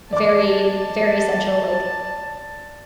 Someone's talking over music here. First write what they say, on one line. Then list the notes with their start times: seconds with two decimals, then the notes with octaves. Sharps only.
very, very central, like,
0.13 D5 A5 D6